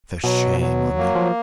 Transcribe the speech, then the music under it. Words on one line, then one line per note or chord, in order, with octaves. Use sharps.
For shame on you!
B2 F#3
F#3
A#3
F3